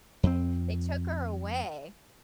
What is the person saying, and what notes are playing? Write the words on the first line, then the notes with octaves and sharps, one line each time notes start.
They took her away,
F2 C4